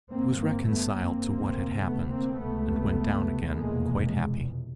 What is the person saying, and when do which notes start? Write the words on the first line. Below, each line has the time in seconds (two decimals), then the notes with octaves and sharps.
He was reconciled to what had happened, and went down again quite happy.
0.13 G1 G2 A#3 C4
0.41 A#3 C4
0.69 A3 B3
0.97 A#3 C4
1.25 D2 C3
1.82 A3 B3
2.09 A#3 C4
2.38 C#2 C3 A3 B3
3.50 F1 E2 B2 G#3 A#3